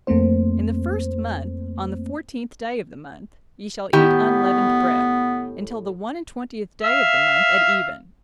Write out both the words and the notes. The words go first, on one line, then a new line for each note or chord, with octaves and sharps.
In the first month, on the fourteenth day of the month, ye shall eat unleavened bread, until the one-and-twentieth day of the month at even.
F2 A3 A#3 C4 C5
A2 D#3 B3 G4
E5 F5